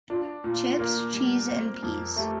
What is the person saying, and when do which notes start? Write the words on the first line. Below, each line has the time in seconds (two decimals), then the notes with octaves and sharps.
Chips, cheese and peas.
0.10 D4 F4
0.44 A#2 F4
0.79 A#3
1.14 G3
1.48 C4
1.82 F2
2.16 A3 G4